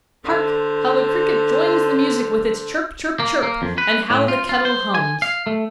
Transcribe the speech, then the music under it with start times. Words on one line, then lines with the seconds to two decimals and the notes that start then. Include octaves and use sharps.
Hark! how the Cricket joins the music with its Chirp, Chirp, Chirp; and how the kettle hums!
0.24 D3 C5
3.20 A#3
3.43 A#3
3.62 F2
3.78 B4
4.10 A2
4.28 F4
4.49 F4
4.65 C5
4.95 G#5
5.22 F5
5.47 A3